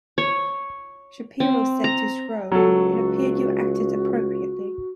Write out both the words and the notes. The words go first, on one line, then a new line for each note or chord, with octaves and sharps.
Shapiro said to Sgro, It appears you acted appropriately.
C#5
C4
A#5
C#2 F#3 F#4 A4